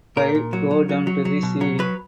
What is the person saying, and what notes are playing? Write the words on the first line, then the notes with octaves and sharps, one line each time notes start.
Five Go Down to the Sea?
A#2 A#4
A#2
F#3
F#3
F#3
F#3
F#3
B2
F#3
F#3 B4